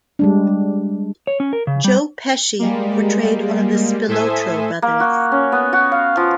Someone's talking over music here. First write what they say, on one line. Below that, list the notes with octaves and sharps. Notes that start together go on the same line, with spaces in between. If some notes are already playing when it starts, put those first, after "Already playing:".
Joe Pesci portrayed one of the Spilotro brothers.
G3 G#3 D4
C#5
C#4
A#4
C#3
G3
G3 G#3 A#3
A2 A4 C5 E5 G#5 D#6
A#3
F#4
C#4
B3
F#4
F5
F3